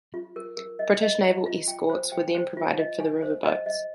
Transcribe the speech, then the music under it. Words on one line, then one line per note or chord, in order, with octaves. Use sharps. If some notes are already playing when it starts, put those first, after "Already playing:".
British naval escorts were then provided for the riverboats.
F4
A#4
A#4
D#5
D#5
A#5
F4
G5
C5
G5
C5
F4
D#5
G#5
C5
D#5
D#5